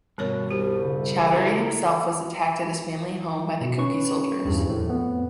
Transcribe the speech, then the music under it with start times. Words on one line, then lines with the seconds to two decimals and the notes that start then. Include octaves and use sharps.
Choudhury himself was attacked at his family home by the Kuki soldiers.
0.18 G2 B2 D#3 A#4 C#5
0.51 C2 G3 G4
0.79 C#3
1.36 E4 A4 A#4
3.61 B2
3.78 C#4 B4 C#6
4.45 E2 G2
4.67 F2 A2
4.90 B3